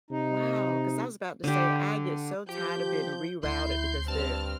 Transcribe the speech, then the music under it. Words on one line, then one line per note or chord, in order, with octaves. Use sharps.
Wow, 'cause I was about to say I get so tired of being rerouted because they're
C3 D#4
D3 G4
F3 G4 G6
D2 E4 C6 G6 C7
G2 C4 A5 F6